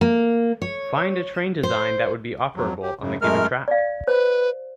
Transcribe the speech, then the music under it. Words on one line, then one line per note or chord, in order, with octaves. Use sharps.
Find a train design that would be operable on the given track.
A#3
C#5
C5
F2 F#3
G4
F#2 C#3
F#2 G#3 A3 A#4 F6
D5 F5
B4 C5